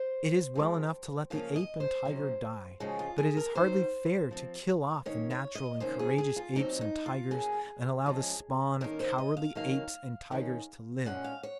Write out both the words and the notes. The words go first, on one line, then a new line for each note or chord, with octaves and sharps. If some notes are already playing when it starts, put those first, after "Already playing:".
It is well enough to let the ape and tiger die, but it is hardly fair to kill off the natural and courageous apes and tigers and allow the spawn of cowardly apes and tigers to live.
Already playing: C5
F3 G#3 C4
C#3 F3 A#3 C#4 F5
D#5
C5
C3 F#3 C#4
C#3 F3 G#3 C#4 F#4
F4
G#4
A#4
C3 D#3 F#3 C5
F3 C4
D#3 A#3 C#4 C#5
C#5
D#5
C3 D#3 A#3 C#4 C5
G#4
G#4
F4
A#2 F#3 C4 D#4
D#4
F4
C#3 F#3 A#3 C#4 G#4
F3 G#3 C#4
D#3 A#3 C#4 A#4
C5
D#5
F5
D#3 F#3 A#3 C#4 F5
D#3 G#3 C#4
A#2 G#3 C#4 F#5
F5
C#5